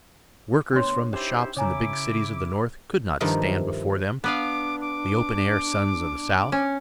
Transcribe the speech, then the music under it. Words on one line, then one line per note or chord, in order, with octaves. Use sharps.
Workers from the shops in the big cities of the North could not stand before them, the open air sons of the South.
D2 B3 D4 C#5 C6
C#4 D#4 E4 G4 C5
C#3 E4 C#5 G#5 A#5 D6
G2 D#3 F3 D#4 E4
B3 D4 B4 F5 D6
D6
C#4